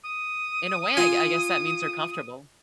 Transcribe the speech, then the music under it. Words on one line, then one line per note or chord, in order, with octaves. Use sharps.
in a way, I g I guess that means they're comfortable.
D#6
F4 G#5